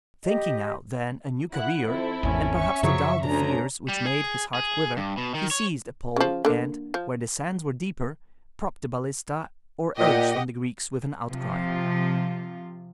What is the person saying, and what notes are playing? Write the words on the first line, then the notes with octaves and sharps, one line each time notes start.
Thinking out then a new career, and perhaps to dull the fears which made his heart quiver, he seized a pole and, where the sands were deeper, propped the balista, or urged on the Greeks with an outcry.
G4 D#5
E4 F#5 F#6
F2 C4 E4 A4
G#1 E2 C#4
E5 C#6
F#2 C#3 F3 F#3
D2 C#4 D4 A#5
G3
G#4
G#4
G2
B2
D#3
C#5
C#3 F3
D3 A#3
F3
A#2 G4 D#5 F#5
C3 F3 F4